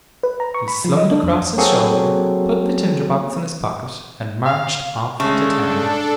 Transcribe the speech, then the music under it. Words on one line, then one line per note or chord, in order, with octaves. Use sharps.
He slung it across his shoulder, put the tinder-box in his pocket, and marched off to town.
B4
A#5
C#6
B5
F3
D#5
D4
F2
F#3 A#3 C4 F#4 G#4 A4
F5
C#3 G#3 A3 D4 A4